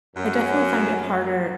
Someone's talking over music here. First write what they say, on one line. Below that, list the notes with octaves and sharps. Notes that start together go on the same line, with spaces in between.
I definitely find it harder
F#2